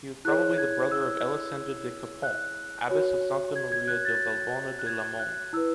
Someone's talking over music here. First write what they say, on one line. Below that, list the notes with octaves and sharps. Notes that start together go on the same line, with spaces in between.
He was probably the brother of Elisenda de Copons, abbess of Santa Maria de Vallbona de les Monges.
E4 G#4 C#5 F#6
G#6
E6
F#6
F#4 C#5
G#6
G#6
F#6
A6
F#6
G#6
F#6
E4 B4 E6